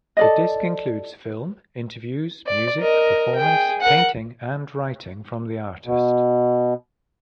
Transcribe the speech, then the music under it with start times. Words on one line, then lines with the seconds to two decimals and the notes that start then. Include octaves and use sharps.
The disc includes film, interviews, music, performance, painting and writing from the artist.
0.17 A4 D5 D#5
2.46 D5
2.80 A#4 D#5
3.36 G#4 G5
3.81 A#4 F#5
5.86 B2